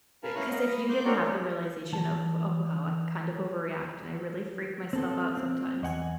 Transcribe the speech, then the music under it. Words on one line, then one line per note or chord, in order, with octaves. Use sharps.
uh, 'cause if you didn't have the realization of, "Oh, wow. I kind of overreact and I really freak myself out sometimes,"
A#4 F5 G#5 A5 B5
C#4 E4 F5 A#5 C#6 F#6
A#4 D#5 F5 F#5
B5 D#6
C6 D6 F#6 G6
C4 D4 F#4 A#4 C#5 D5
E3 A5
C4 A4
C4
E2 D#5 F#5 G#5